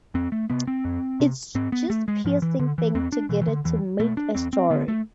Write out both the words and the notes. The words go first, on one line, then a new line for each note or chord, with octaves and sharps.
It's just piecing things together to make a story.
F2 C4
A3
C3 B3
C4
F2
C3
G#2 C4
B3
A3
G#3
G#2 F3
E3
D3
E3
E2 C4
D4
B2 E3
E3
D3
E2 E3
B2 A3
D4
E2 C4
C4
D3 B3
A3